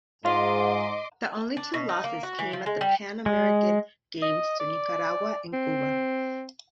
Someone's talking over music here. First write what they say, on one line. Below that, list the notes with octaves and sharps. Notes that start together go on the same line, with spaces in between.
The only two losses came at the Pan American Games to Nicaragua and Cuba.
G#2 F4 D#5 C6 D6
D4
B2
D#4
A#3
F#4
E3
F3
G#3
G3
G#3
D#5
D5
C4